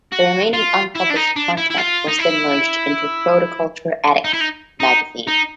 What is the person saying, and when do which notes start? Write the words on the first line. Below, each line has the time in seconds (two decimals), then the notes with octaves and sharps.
The remaining unpublished content was then merged into "Protoculture Addicts" magazine.
0.12 F#4
0.54 F4
0.95 E4
1.10 D4
1.16 D#4
1.36 D4
1.57 E4
1.70 E4
1.77 F4
2.08 D#4
2.19 E4
4.24 D#4
4.33 E4
4.40 D#4
4.80 D#4
5.27 D#4